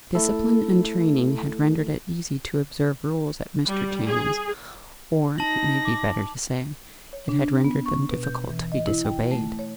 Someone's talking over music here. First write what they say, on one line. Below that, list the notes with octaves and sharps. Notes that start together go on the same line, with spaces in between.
Discipline and training had rendered it easy to observe rules at Mr. Channing's; or, it may be better to say, it had rendered them difficult to be disobeyed.
A3 E4 A4
G3
G#4
D#4 A5 A#6 F#7
D6
C#5
D4
B3
C#6
B2
G6
E3
D#5
E4
G5
A3
C#5